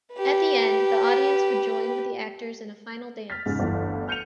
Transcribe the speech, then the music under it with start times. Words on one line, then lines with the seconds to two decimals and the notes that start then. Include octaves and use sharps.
At the end, the audience would join with the actors in a final dance.
0.14 G4 B4
3.30 F6 A6 B6
3.45 F1 G#2 C#3 G#4
3.59 G1 D2 E3
4.08 F6 G6 C#7 D#7 F7